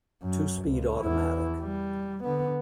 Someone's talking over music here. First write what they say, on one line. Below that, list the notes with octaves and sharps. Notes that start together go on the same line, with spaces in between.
Two speed automatic.
F#2
C#2
E2 E4
G3
D3 B3